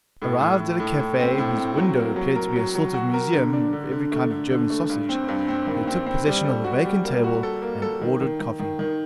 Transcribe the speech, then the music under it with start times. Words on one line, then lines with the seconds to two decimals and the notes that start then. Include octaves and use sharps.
Arrived at a cafe whose window appeared to be a sort of museum of every kind of German sausage, they took possession of a vacant table and ordered coffee.
0.22 A2
0.41 A2
0.60 A2
0.80 A2
0.99 A2
1.19 C4
1.38 A2
1.57 C4
1.78 F#3
1.97 A#3
2.16 F#3
2.36 A#4
2.56 F#3
2.75 F#3
2.94 F#4
3.14 A#4
3.33 D3
3.53 D4
3.73 D3
3.92 D3
4.12 A3
4.31 D3
4.51 D3
4.70 A3
4.90 G2
5.09 C4
5.28 G2
5.48 C4
5.67 D#3
5.88 C4
6.06 C4
6.27 G3
6.45 A4
6.64 F#4
6.85 G3
7.04 A#3
7.24 F#4
7.43 A4
7.62 A#3
7.82 A4
8.01 D#3
8.21 D#3
8.40 D#3
8.59 D#3
8.79 D#3